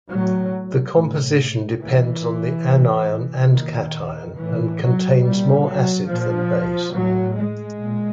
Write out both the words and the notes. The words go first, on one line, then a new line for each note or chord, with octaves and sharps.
This composition depends on the anion and cation and contains more acid than base.
A2 F#3
A2
A#2 E3
A2
A#2 D#3
A2 E3
F#3
A#2 G3
F#3
A#2 F3
A2 F#3
G#3
A#2